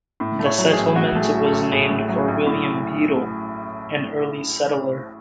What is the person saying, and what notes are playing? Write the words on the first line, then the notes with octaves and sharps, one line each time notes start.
The settlement was named for William Beedle, an early settler.
A2
A3
C#5
F#3
G#4
A1
A2 F#4
A3
G#4
F#3
A4
A1
A2 G#4
A3
F#3
A1
A2